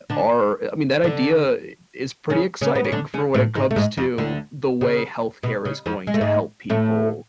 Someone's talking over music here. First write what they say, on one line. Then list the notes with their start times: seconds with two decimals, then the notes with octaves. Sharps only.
are I mean, that idea i is pretty exciting for when it comes to the way health care is going to help people,
0.10 D3 D4
1.04 D3 D4
2.30 C#3 C#4
2.61 C#3 C#4
2.75 B3
2.85 C#4
2.92 D3 D4
3.14 C#3 C#4
3.34 A2 A3
3.55 G#2 G#3
3.71 A3
3.76 G#2 G#3
3.97 F2 F3
4.18 D2 D3
4.81 C#3
5.43 B2
5.65 C#3
5.86 F2 F3
6.07 G#3
6.14 A3
6.21 G#2 G#3
6.70 A2 A3